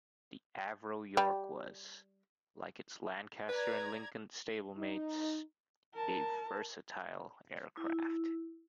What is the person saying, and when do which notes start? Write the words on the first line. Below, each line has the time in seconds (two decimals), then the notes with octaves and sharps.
The Avro York was, like its Lancaster and Lincoln stablemates, a versatile aircraft.
1.17 G3
3.49 B4 D5 A#5 G#6
4.77 D#4
5.94 A#4 A5
7.77 E4